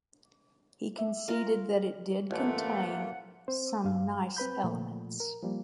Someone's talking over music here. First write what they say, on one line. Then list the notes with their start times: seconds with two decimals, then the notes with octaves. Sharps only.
He conceded that it did contain "some nice elements".
0.99 E5
1.28 F4 A#4 F5
2.31 A1 F#2 A3 A#3 F4 F#5
3.48 C4 C5
3.85 G2 F5
4.37 C4 B4 B5 G6
4.64 A#2 F3 A3
5.20 A#4
5.43 F3 G3 A#3